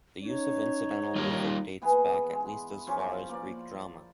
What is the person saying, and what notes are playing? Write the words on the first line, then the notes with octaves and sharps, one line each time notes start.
The use of incidental music dates back at least as far as Greek drama.
C#4 D#4 C#5
D#2 G3 F4 D#5
E3 B3 G#4 B4
G#3
F3 C#4 F4
A#3 D5